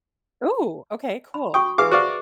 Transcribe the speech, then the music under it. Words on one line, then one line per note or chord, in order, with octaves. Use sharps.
Ooh, okay, cool.
B5
F#4 G5 C#6 D#6
E3 G#4 B4 E5 F5 D6
F#4 C5 D5 F5 C#6 D6